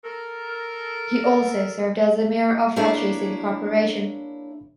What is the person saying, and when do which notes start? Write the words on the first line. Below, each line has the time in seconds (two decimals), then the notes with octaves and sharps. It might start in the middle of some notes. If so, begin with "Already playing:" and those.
He also served as the mayor of Rajshahi City Corporation.
0.03 A4 A#4
2.76 A#3 D4 E4 G#4 C#5